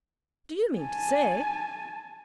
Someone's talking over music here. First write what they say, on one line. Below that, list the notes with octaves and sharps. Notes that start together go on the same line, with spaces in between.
Do you mean to say--?'
G#5 A5